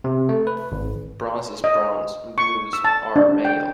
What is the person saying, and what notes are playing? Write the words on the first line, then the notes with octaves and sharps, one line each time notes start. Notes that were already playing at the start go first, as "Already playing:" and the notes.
Bronzes, browns, and blues are male.
C3
A3
B4
G#1
D#5
C#6
E6
A5
D4
G5